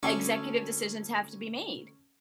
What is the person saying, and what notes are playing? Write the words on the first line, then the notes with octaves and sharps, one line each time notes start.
executive decisions have to be made,
D2 C#4 A4 C#5 C#6 D6